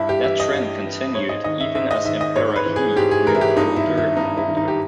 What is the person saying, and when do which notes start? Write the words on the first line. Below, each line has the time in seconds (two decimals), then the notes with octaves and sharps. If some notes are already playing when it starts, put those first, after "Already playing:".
That trend continued even as Emperor He grew older and older.
Already playing: G2 E4
0.09 G4
0.24 E3 E5
0.40 D#5
0.54 G2
0.84 E3
1.15 G#2 C#5
1.29 D#5
1.44 D#3 D#5
1.60 E5
1.75 G#2 E5
1.91 D#5
2.05 D#3 E5
2.21 D#5
2.36 G#2 C#5
2.56 B4
2.66 E3
2.76 G#4
2.96 G#2 G4
3.11 G#4
3.27 E3 A#4
3.35 E4
3.41 G4
3.57 G2 D#4
3.76 E4
3.87 D#3
3.97 E4
4.17 G2 D#4
4.37 E4
4.47 D#3
4.57 D#4
4.68 G4